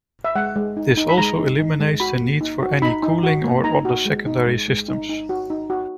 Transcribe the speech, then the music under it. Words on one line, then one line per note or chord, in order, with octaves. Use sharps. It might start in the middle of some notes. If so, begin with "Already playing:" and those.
This also eliminates the need for any cooling or other secondary systems.
E5
G#3 F#5
G#3
D#4
D#4
B5
G#3 A#5
D#4
D#4
G#3
F#4 B5
A#3
D#4
F#4
D#4 B5
D#4
F#4
A#3
D#4 A#5
F#4
G#3
D#4
G#3
G#3
D#4
D#4
F#4
D#4
F#4